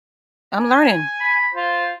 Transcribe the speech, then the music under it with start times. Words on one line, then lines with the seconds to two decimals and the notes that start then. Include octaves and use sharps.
I'm learning.
0.58 G#5
1.21 B5
1.55 F4 C5